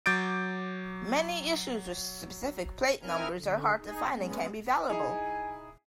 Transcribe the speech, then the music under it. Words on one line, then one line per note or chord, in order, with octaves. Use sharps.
Many issues with specific plate numbers are hard to find and can be valuable.
F#3 D6 G6 A6 D7
C4 D#4 E4 A#4 G#5 F6
D3
D#4 G#4
G#3 B3 C#4
D#4 E4 G#4 G#5